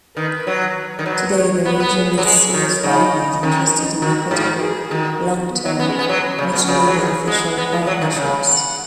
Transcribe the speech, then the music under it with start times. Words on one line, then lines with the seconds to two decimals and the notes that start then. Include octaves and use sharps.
Today, the region needs serious partners interested in equitable, long-term, mutually beneficial partnerships.
0.17 D#3 B4
0.47 F#3
0.99 D#3
1.05 F#3 B4
1.36 C#5
1.65 B3 B4
1.80 B3
1.95 G#4
2.18 F#3
2.25 G#3
2.54 D#3 C#5
2.83 C#3 D#4
3.43 D#3 C#4
3.72 D#4
4.02 D#3 F#4
4.31 G#2
4.61 G#4
4.91 D#3 F#4
5.50 B3
5.65 F#3
5.79 B3 C#4
5.89 G#3
5.99 B3
6.09 F#3
6.38 C#3 C#4
6.53 B2
6.68 C#3 F#4
6.87 F#3
6.97 D#3 G#4
7.27 G#3 F#5
7.57 B3
7.72 G#3
7.87 F#3 F#5
8.01 D#3
8.16 C#3
8.46 F#5